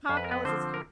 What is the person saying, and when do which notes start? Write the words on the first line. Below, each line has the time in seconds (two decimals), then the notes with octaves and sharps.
Tom Ellis is h
0.09 F2 C5
0.17 B4
0.24 A#4
0.31 B3 B4
0.45 D3 F3 C4 C5
0.74 A#4